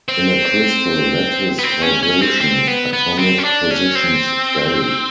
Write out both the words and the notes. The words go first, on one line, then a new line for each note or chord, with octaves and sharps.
In a crystal lattice vibration, atomic positions vary.
C4
B3
C4
C#4
C#4
C4
C4
B3
B3
C4
C#4
D4
C#4
C4